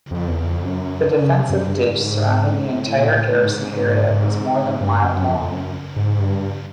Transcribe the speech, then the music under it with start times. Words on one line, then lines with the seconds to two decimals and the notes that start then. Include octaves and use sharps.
The defensive ditch surrounding the entire garrison area was more than a mile long.
0.11 F2
0.28 E2
0.46 F2
0.63 F#2
1.06 D3
1.19 C#3
1.32 C3
1.50 F#2
1.67 G2
1.85 G#2
1.97 G2
2.02 G#2
2.65 G#2
2.72 A2
2.97 A#2
3.07 A2
3.42 G#2
4.10 G#2
4.81 G2
5.04 F#2
5.27 F2
5.39 F2
5.50 F#2
5.96 G#2
6.19 G2